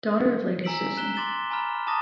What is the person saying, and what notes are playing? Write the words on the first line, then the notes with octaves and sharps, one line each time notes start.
Daughter of Lady Susan.
G#5 A#5 E6 B6 D7 F#7
A#5 F#6 B6 E7 G7
C6 D6 A6 E7 G7
G#5 A#5 B5 F6
A5 A#5 D6 D#6 A6 A#6